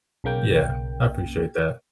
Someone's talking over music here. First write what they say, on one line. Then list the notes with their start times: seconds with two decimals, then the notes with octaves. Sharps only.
Yeah. I appreciate that.
0.24 B1 C#3 A#3 G5